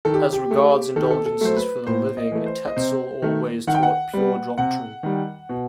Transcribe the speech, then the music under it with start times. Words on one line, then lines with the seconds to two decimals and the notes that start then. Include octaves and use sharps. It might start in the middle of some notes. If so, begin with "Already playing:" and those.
As regards indulgences for the living, Tetzel always taught pure doctrine.
0.05 D#3 A4
0.14 G4
0.33 G4
0.51 A3
0.96 D#3 A4
1.03 G4
1.10 A4
1.26 A4
1.41 F#3 A3 C5
1.56 B4
1.87 A2 C5
2.17 D#5
2.32 E3 A3
2.46 C5
2.67 D#5
2.76 C3 C5
3.22 D#3 A3
3.67 D#3 F#5
3.75 G5
3.83 F#5
4.13 G3 B3
4.58 C3 F#5
5.03 D#3 G3
5.49 B2